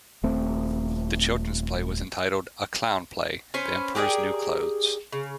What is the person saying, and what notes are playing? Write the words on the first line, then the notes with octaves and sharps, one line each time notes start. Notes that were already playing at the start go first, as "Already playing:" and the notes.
The children's play was entitled "A Clown Play: The Emperor's New Clothes".
D#1 A3 C4
C#4 B4 C5
G4 G#4 A#4 D5
C#3